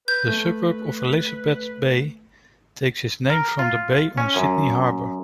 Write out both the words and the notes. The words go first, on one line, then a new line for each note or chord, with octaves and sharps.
The suburb of Elizabeth Bay takes its name from the bay on Sydney Harbour.
B4 G6
A3
A#4
F4
C#4
F#2